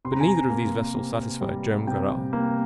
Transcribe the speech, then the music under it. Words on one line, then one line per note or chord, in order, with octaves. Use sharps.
But neither of these vessels satisfied Joam Garral.
C3 C6
A#5
G#5
A#5
A#3
C3
G3
C3 G5
A#3